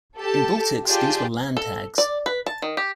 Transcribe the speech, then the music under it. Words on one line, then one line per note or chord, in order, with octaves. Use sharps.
In Baltics these were Landtags.
G4 A4 A5
F4 G4 G#4 D5 G5 A5
A4
D5
B4
A5
D#3
G4